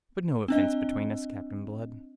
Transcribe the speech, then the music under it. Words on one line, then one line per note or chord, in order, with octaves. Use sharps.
"But no offence between us, Captain Blood!"
C4 D4 D#5